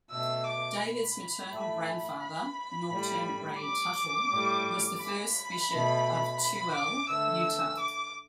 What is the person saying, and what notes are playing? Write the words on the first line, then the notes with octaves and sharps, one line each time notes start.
David's maternal grandfather, Norton Ray Tuttle, was the first bishop of Tooele, Utah.
B2 A3 E6
D6
B5
A2 A3
B5
A2 G3
D6
A2 G3
B5
B2 A3
B5
D6
D3 A3 E6
D6